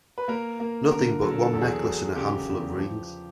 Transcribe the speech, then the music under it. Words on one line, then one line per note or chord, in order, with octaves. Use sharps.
Nothing but the one necklace and a handful of rings!
B4
A#3 A#4
A#3
D3 A#4
F#3 A4
A#4
A4
E2 A4
G#4
A4
F#3
C#3 G4
E2
F3